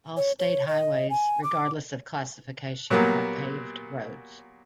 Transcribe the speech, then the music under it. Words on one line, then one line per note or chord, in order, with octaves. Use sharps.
All state highways, regardless of classification, are paved roads.
C#5
C#5
D#5
G#5
D6
A#2 F#3 G3 A#3 B3